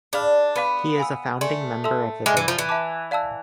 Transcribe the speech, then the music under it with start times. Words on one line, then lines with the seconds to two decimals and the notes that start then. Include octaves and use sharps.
He is a founding member of the band.
0.13 D4 G#4 D5 F5 B5 F6
0.56 B3 B4 D5 F5 B5 D6
0.98 F5 G#5 B5 E6
1.41 A3 D5 G#5 C6
1.84 A4 E5 A5 C6 E6
2.26 G#3 E5 G#5 D6 F6
2.37 E3
2.48 F3
2.59 E3
2.69 E5 A5 D6
3.11 D5 F5 A5 E6